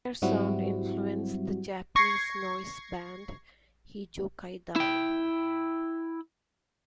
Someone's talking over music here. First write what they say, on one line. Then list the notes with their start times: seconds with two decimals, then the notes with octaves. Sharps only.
Their sound influenced the Japanese noise band Hijokaidan.
0.22 G#2 F#3 G3 C4 E4 F#4
1.96 C#6 G#6 A#6 C7
4.76 E4 G5